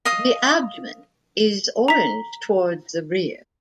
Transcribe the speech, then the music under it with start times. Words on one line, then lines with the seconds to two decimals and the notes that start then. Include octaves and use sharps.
The abdomen is orange towards the rear.
0.05 D#5 F5 D#6
1.88 A#5 B6